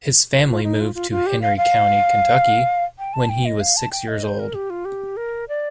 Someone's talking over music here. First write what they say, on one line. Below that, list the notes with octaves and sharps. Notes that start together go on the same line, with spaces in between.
His family moved to Henry County, Kentucky, when he was six years old.
F4
D#4
F4
F4
F4
G4
F5
F5
G5
A5
G5
D#5
F5
A5
G5
D#5
C5
A#4
G4
F4
G4
A#4
D5